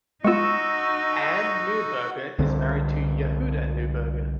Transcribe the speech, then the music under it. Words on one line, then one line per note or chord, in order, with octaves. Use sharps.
Anne Neuberger is married to Yehuda Neuberger.
G#3 B3 D#4 F4 F#4 C#6 E6
C2 D3 C4